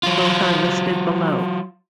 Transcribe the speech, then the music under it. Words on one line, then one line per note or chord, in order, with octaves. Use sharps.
Both are listed below.
F#3 F4